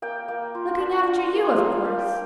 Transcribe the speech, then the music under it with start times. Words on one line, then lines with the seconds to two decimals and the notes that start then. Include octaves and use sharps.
"Looking after you, of course."
0.02 A#3 G5
0.28 A#3
0.55 F4
0.80 D4
1.06 F4
1.33 A#3
1.58 A#3 F5
1.85 A#3 F5
1.99 G5